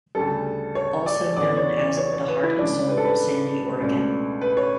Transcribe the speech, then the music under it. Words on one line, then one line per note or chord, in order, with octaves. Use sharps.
Also known as 'The heart and soul of Sandy Oregon.
D2 C#3 G3 A4
C#5
D5
E2 C#3 E3 B3 D5
C#5
D5
C#5
C#5
B4
E4
C#2 C#3 G3 D4
B4
A4
B4
C#2 B2 A3 D4
B4
C#5